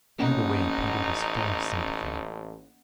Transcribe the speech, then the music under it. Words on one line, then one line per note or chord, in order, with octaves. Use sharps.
Right away Peter was full of sympathy.
A1 A#3 C#4 D#4 F#5